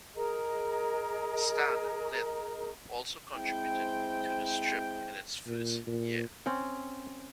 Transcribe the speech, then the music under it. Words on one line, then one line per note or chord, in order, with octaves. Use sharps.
Stan Lynde also contributed to the strip in its first year.
G#4 A#4 D#5 A#5
G#3 C4 E4 C5 G5
A#2
A#2
C4 C#4 G5